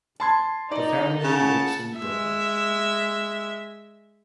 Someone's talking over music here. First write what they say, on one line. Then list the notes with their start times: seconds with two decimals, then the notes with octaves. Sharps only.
The family lives in Brooklyn.
0.20 A5 C6 G#6
0.71 D#4 D5
1.23 C#3 F#5 A5
1.97 G#3 E5